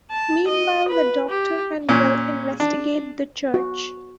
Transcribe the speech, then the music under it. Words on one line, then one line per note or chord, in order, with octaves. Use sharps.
Meanwhile, the Doctor and Will investigate the church.
A5
D#5
B4
G4
A#2 C#4
D4
F#4